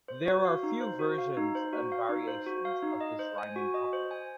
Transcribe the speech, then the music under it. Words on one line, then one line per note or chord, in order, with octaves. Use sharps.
There are few versions and variations of this rhyming couplet.
C5
F#4
F5
D#4
C5
F#4
F5
D#4
C5
F#4
F5
D#4
C5
F#4
F5
D#4
D#5
C5
G#5
F#4
D#5
C5
G#5